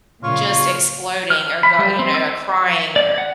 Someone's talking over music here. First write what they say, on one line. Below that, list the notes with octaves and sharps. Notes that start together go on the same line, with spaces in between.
just exploding or go you know, crying or
A#2 C#3 F4 C#5 C#6
F6
B5
G3
C4
E6
D5
F#5